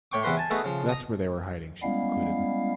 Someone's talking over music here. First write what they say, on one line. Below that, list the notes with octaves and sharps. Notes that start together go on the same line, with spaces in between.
"That's where they were hiding," she concluded.
A2 C#5 G5 C#6 D6
E2 C3 E3 F#4 B4 C6
G#5 A5
A3 B3 D#4 F#4 G#4 B4
C#3 F3
A#5 D#6
G3 G#3 B3 C#4 E4 F5